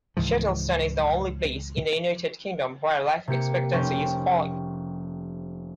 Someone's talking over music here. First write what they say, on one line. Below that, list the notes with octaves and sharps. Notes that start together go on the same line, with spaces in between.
Shettleston is the only place in the United Kingdom where life expectancy is falling.
C#2 G#2 E3 F3
C3 A#3 G4 C#7
F1 C#4 C5 G5 D#7